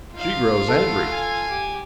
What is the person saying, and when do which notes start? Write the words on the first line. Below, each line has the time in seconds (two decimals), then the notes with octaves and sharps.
She grows angry.
0.14 D#4 F4 F5
0.68 A3 B3 A4
1.11 G#5
1.50 G4